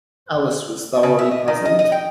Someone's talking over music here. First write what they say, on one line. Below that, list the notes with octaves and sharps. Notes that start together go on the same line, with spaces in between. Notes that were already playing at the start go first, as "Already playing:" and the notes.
Alice was thoroughly puzzled.
C#3
E5
D#5
D#3
D#5
D#5
G5